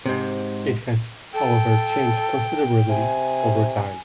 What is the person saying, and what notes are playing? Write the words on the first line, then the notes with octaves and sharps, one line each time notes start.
It has however changed considerably over time.
G#2 C3
A4 G5
C3 G#5